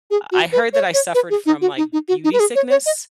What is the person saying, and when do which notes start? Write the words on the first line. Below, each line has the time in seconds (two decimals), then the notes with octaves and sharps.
I I heard that I suffered from, like, beauty sickness
0.11 G#4
0.32 F#4
0.53 B4
0.73 C#5
0.94 C#5
1.15 B4
1.30 G#4
1.46 D#4
1.61 F#4
1.77 D#4
1.93 D#4
2.08 F#4
2.24 D#4
2.33 B4
2.40 G#4
2.55 C#5
2.70 C#5
2.86 D#5